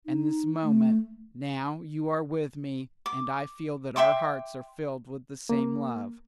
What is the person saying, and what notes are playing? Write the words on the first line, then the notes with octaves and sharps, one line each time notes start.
And this moment, now you are with me, and I feel that our hearts are filled with the same love.
D#4
A3
D6
E5 G5 C6 D6
A#3